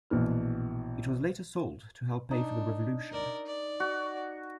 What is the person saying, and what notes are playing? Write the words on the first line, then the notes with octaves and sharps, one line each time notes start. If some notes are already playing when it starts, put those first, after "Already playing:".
It was later sold to help pay for the Revolution.
A#1 B2 E3 F6
D4 D#4
A#4 D5
D5
F#4